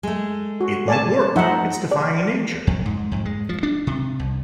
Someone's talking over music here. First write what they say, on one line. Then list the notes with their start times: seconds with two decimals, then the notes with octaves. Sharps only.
It won't work, it's defying nature!
0.03 G#3 A3
0.61 F#4
0.88 D5 G#5 A5
1.36 F3 A3 D#4 E5 F#5
1.91 D5
2.67 F2
2.86 G#2
3.11 F2
3.25 G#3
3.49 F3
3.63 D4
3.87 C3
4.19 C2